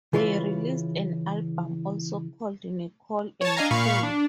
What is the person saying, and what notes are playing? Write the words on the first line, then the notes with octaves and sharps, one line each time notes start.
They released an album, also called "Nicol and Cool".
C#3 E3 F4 B4 C#5
C#5 A5
D4 D#5 F5 G#5 A#5
A#2 F5 B5 C#6
D4